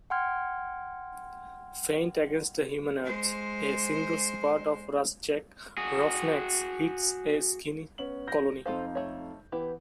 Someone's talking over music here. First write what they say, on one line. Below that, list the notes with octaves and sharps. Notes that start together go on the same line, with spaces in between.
Feint against the humanoids: A single squad of Rasczak's Roughnecks hits a Skinny colony.
F#5 G5 C6 F6 G#6
G#3 C5
F#4 G#4
B3 C#4 F#7
G6 A#6
F2 D#4 F4 A4 C5 F5
A3 C#5
E3 B3 E4 G4